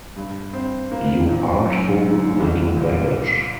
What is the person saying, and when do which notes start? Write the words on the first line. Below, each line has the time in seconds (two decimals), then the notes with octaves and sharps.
You artful little baggage!
0.16 G2
0.53 C4
0.92 A#3
1.29 A#2
1.66 F#2
2.02 D3
2.40 C2
2.77 A#2